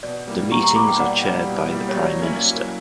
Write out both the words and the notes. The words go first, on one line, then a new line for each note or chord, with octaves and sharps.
The meetings are chaired by the Prime Minister.
B2 D5
G3 A#3 E4
B2 A#5 C#6
A#5 C#6
G3 A#3 E4 B5 D6
G5 B5
B2 D5 F#5
G3 A#3 E4 D5
B2
G3 A#3 E4
C#5
F#3 D5
A#3 C#4 E4
F#3